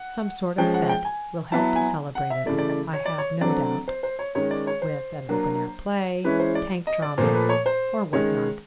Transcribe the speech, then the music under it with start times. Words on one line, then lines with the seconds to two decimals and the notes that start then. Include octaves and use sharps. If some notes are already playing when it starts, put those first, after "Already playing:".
Some sort of fete will help to celebrate it, I have no doubt; with an open-air play, tank drama, or what not.
Already playing: F#5
0.58 F3 G#3 C#4 G5
0.74 F#5
0.89 G5
1.05 G#5
1.52 F#3 B3 E4 A5
1.76 G#5
2.15 F#5
2.30 E5
2.46 C#3 E3 A3 D5
2.58 D5
2.69 D5
2.93 C#5
3.05 D5
3.18 C#5
3.41 D3 F#3 A3 C4 D5
3.88 C5
4.03 C5
4.19 C#5
4.35 D#3 G#3 C#4 C#5
4.51 D5
4.67 C#5
4.82 C5
5.29 F#3 A#3 D4
6.24 E3 G#3 C#4 E4 B4
6.39 C5
6.55 D5
6.87 D#5
7.02 D5
7.18 A#2 F3 A3 C5
7.34 B4
7.49 C#5
7.66 C5
8.13 D#3 G#3 C#4 C#5